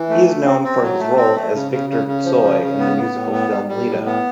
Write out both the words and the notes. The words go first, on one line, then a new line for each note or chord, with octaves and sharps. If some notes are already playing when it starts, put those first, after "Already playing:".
He is known for his role as Viktor Tsoi in the musical film "Leto".
Already playing: E3
A3
A3
C4
C4
F#3
A3
C4
A3
C#3
C#3
C#3
C#3
F3
C#3
C#3
B3
B3
A2
B3
G3
G3
A2
B3